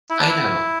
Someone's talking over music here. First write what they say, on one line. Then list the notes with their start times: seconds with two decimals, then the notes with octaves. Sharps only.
I know.
0.10 E4
0.20 D4
0.29 E4